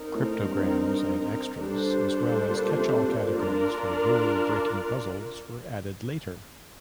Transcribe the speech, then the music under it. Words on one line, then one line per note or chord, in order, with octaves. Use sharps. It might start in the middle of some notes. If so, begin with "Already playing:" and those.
Cryptograms and extras, as well as catchall categories for rule-breaking puzzles, were added later.
Already playing: C4 D#4 A#4
A2
G2
G2 G3 D4 A4 C5
A#2
C3
A#2
G2 D4 F4 A#4 D5